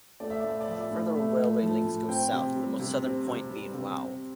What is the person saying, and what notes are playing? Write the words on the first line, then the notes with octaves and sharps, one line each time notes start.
Further railway links go south, the most southern point being Wau.
A3 D5
E5
A2 D5
E5
D5
F3 E5
D5
A2
A3 E5
A2
F3
A2
C4 G5
C3
G3
C3
C4
C3
G3
C3
C4